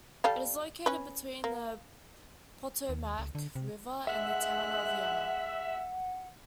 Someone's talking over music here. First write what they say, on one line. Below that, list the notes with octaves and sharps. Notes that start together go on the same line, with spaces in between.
It is located between the Potomac River and the town of Vienna.
G3 A4 F5
C#4 B4
A#3
D#2
C#2
D3
C3
G#3 E5 F#5 F#6